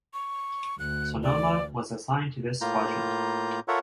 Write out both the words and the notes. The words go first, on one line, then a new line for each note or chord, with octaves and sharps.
"Sonoma" was assigned to this squadron.
C#6
D2 F#6
D5
A2 A#3 F4 A#5 G6
F4 A4 A#4 C#5 E5 F#5